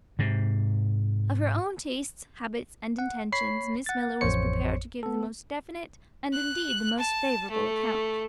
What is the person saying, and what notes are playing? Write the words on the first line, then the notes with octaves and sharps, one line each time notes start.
Of her own tastes, habits, and intentions Miss Miller was prepared to give the most definite, and indeed the most favorable account.
G#2 C3
F#5
C#5 B5 C7
F#5 A6
A1 F2 C5 C#5 C#7
B3 A4
F#6
A5
A3